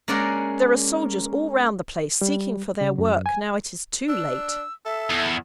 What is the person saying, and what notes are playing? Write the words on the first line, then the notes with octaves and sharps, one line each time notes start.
There are soldiers all round the place, seeking for their work now it is too late.
G#3 A#3 C#4 D5 F#5 A#5
G3
C#3
F#2
G#5
D4 E6
A4 E5
E2